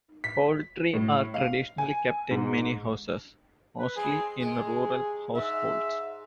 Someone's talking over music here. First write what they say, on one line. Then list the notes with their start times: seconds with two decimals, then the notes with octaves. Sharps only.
Poultry are traditionally kept in many houses, mostly in rural households.
0.24 B6
0.94 A2
1.34 F5
1.78 G#5
2.31 G#2
3.79 B4
3.96 G#3 C4 G#4
4.40 C3 G#3 G#4
5.35 G#2 E5